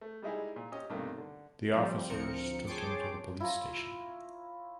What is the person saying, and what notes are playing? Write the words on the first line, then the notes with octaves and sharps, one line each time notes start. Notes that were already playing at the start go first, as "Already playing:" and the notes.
The officers took him to the police station.
A3
G3 G#3 D#4 E4 G4 G#4
A#2
C#4 G4 D#5
B1 G2 C3 D#3 A3 A#3
D3
F3 G3 C4
D2 F3 C4 A#4 C#7
G#4 C#5 G5 A5 C6 D6
E4 F4 C#5 A#5